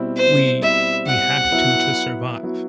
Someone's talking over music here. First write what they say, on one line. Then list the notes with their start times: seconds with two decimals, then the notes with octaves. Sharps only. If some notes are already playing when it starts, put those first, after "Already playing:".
we we have to to survive.
Already playing: B2 G3 C4 E4
0.17 C5
0.62 B2 G3 C4 E4 E5
1.07 F#5
1.52 F#3 B3 E4
2.43 F#3 B3 E4